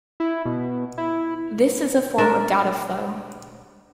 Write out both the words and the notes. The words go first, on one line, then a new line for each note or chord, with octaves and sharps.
This is a form of dataflow.
E4
B2
E4
D4 A#4 D5 E5